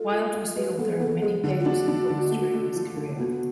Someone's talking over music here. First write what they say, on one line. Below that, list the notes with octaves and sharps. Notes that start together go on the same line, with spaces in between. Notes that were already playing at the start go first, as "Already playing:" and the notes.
Wyld was the author of many papers and books during his career.
Already playing: G#3 F4 A4
F4
F4
G#3 B4
B3 A4
G#4
B3 A4
G#3 G#4
D3 G#4
F#4
F4
D4 F#4
D4
D3
A3
A3
F3
D3
B3 F#4